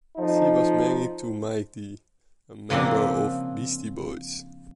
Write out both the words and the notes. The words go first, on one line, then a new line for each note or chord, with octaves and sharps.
She was married to Mike D, a member of Beastie Boys.
F2 F3 D#4
C#3 F3 A#3 C4 D4